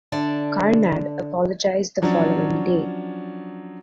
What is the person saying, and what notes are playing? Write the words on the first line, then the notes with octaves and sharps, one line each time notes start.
Karnad apologised the following day.
D3 D5 E5 A5
F3 F#3 C#4 D4